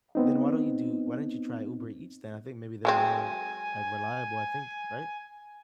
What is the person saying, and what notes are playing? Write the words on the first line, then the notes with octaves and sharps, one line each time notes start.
Then why don't you do why don't you try Uber Eats then? I think maybe they're more, like, reliable, I think, right?
B3 C4 D#4
F#3 G#3 C4 G#5